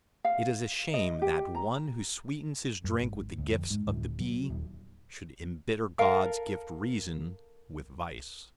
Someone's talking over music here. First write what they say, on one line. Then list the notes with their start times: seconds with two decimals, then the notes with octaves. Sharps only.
It is a shame that one who sweetens his drink with the gifts of the bee, should embitter God's gift Reason with vice.
0.25 F5
0.94 D#5
1.22 G4
1.55 A#5
2.84 F#2
3.01 G#1
3.38 D2
3.52 F2
3.70 G#2
3.87 D1
4.20 F#3
4.50 D#1
5.99 A4 A#4 F5